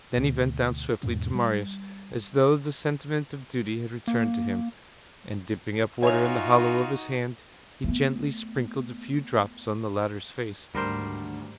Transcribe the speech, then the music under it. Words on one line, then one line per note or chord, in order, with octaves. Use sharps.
Then he bent down swiftly to Marius, as though the sentiment of duty had returned to him, and, dipping up water in the hollow of his hand, he gently sprinkled a few drops on the latter's face.
D2 B2
E2 G#2 B2 C#4
G3
A#3
D#4 F4 F#4 C#5 E5 F#5 G#5 F7
A3 B3
D2 G#2 D#3 G3 A3 A#4 C5